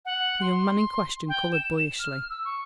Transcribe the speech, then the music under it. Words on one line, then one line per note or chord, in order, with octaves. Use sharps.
The young man in question coloured boyishly.
F#5
C6
G5
E7
F6
E6
C#6